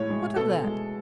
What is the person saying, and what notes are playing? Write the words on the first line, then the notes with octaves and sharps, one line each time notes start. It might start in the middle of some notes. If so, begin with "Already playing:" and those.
But what of that?
Already playing: A2 G#3 C#5
G#3
B2 A4
G#3